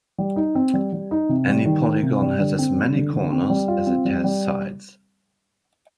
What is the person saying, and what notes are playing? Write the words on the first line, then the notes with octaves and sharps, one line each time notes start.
Any polygon has as many corners as it has sides.
G3
D#4
C4
G3
G3
D#4
C3
G3
D#3
A#3
C3
G3
D3
C4
G3
D3
D3
C4
G3
F4
C4
G3
G3